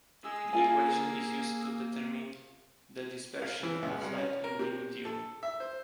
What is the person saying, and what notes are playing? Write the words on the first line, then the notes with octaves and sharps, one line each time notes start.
The equation is used to determine the dispersion of light in the medium.
G#3 G#4 E6
A#3 F4 G#5
F5
E3
C#2
C2
C#4
A#4
C3
A4
E5
C5